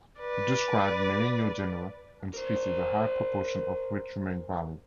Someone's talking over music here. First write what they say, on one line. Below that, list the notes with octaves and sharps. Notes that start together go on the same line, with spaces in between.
He described many new genera and species, a high proportion of which remain valid.
B4 D5
A#4 C5